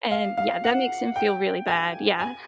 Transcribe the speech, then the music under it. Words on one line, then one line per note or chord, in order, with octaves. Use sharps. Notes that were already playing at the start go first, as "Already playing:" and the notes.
and yeah, that makes him feel really bad, yeah.
F5
F5
F#5
G5
G#5
G#5